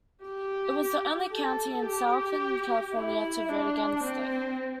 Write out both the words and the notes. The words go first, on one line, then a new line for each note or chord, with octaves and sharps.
It was the only county in Southern California to vote against it.
G4
A4
G4
E4
D4
C4